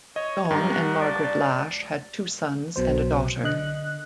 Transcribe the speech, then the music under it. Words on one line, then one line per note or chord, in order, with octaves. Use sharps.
Don and Margaret Lash had two sons and a daughter.
C#5 D#5
G2 F4 G4 A#5
F#5
D5 A5
B1 B2 F#3 C5
D3 D#5 F#6